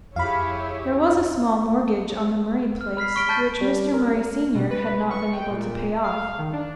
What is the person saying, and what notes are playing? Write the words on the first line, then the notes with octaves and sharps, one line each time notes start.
There was a small mortgage on the Murray place which Mr. Murray senior had not been able to pay off.
F2 E4 G4 G#4 C#5 E5 F5 B5
F6
B5 F6 B6 C7
C#6 F6 B6 D7 G7
A5 G6 A6 B6
G3
A#4
B2
B4
C#6
G5
A#2
F5
D#3
D4